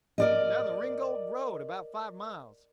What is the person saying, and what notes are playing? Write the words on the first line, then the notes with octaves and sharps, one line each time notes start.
"Down the Ringgold road about five miles."
A#4 D5 D#5